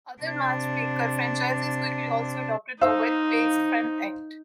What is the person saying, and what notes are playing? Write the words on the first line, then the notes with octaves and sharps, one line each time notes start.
Other Matchmaker franchises quickly also adopted the web based front-end.
C3 D4
D#4 C5 F5 E6